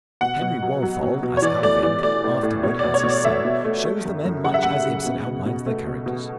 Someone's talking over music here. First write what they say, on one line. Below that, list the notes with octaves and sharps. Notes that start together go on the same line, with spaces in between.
Henry Walthall as Alving, afterward as his son, shows the men much as Ibsen outlines their characters.
B2 F#5
B2
F#3
F#3
B2
B2
C#5
E3 D5
A3 D5
E3 D5
A3 D5
A2
A2
B2 C#5
D5
B2
C#5
B2
D5
A3 E5
B2
A3
A3
F#2
F#2
C#3 F#5
E5
F#2 F#5
C#3
B2
B2
B2
A3
B2
B2